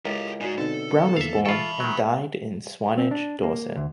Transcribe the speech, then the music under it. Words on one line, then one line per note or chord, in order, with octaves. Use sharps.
Brown was born and died in Swanage, Dorset.
C#2 G#3 E4 F4 G4 A4 A#4
G#3 D#4 F#4 D5 G#5
B2 D3 C4 D#4 A4 B4 D5
E2 A#3 E5 F5
E3 F4 A4 E5 G5 A5 B5 C#6
D#3 F#3
C4
D4
A#3
D2